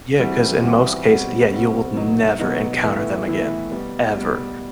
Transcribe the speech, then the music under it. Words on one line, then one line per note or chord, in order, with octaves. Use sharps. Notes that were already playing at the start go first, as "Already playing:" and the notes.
Yeah, 'cause in most case Yeah, you will never encounter them again. Ever.
E3 G3 C4 F#4
E3 G3 C4 F#4
B2 G3 C4 F#4
B2 G3 C4 F#4
B2 F#3 B3 D#4
B2 F#3 B3 D#4
A2 E3 B3 E4
A2 E3 B3 E4
B2 G3 B3
B2 G3 B3